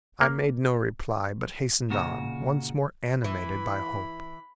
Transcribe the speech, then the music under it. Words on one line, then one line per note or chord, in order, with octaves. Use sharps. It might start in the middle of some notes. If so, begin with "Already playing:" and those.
I made no reply, but hastened on, once more animated by hope.
A#3
A#2 C#3 F#4
E3 B5